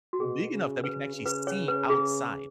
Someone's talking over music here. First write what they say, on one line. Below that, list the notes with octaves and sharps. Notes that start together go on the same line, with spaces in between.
big enough that we can actually see outside.
F#4
B2 G#4
C#3
C#3 B4
C#3
B4
C#5
B4
G#4